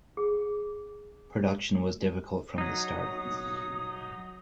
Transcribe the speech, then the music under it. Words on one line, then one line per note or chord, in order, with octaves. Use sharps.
Production was difficult from the start.
G#4
F#3 D#4 D#6